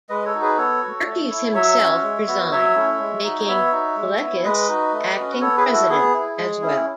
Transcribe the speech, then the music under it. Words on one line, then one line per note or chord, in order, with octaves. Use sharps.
Merkys himself resigned, making Paleckis acting president as well.
G#3 B4 D#5
A4 C#5
D#4 F#4
G#4 B4
B3 A4 C#5
F#4
A3
E4
F#3 C#5 E5
C#4 F#4
G#3
B3 F#4
F#3 C#5 E5
A3 C#4 E4
G#3
D#4 F#4
B3 C#5 E5
D#4 F#4
G#3
B3 E4
G#3 B4 D#5
D#4 F#4
A3
C#4 F#4
B3 A4 C#5
G#4 B4
E4
F#4 A4
B3 G#4
E4
G#3
C#4 E4